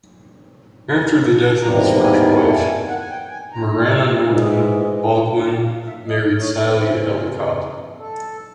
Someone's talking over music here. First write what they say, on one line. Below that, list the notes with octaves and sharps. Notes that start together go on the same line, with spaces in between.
After the death of his first wife, Marana Norton, Baldwin married Sally Ellicott.
G#5
A5
G#5
A5
E2 C3 D#3 G3 A#3 A#5
A#5
A5
G#5
A5
G#5
A5
G#5
F#5
G#5
G5
G#5
A#5
G#2 E3 G#3 F5
D#5
E5
D#5
C#5
D5
F5
E5
D#5
C#5
B4
E2 C#3 E3 C5
A4